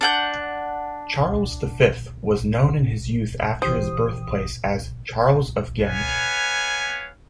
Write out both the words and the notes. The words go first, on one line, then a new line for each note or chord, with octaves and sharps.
Charles V was known in his youth after his birthplace as "Charles of Ghent".
D4 F#5 G6
E3 G4 C5 D#6
B3 B4 C#5 F5 G#5